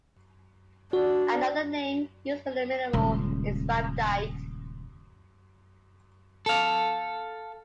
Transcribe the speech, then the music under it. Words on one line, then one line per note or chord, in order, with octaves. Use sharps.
Another name used for the mineral is rhabdite.
D4 F#4
D#1 C#2
A4 F5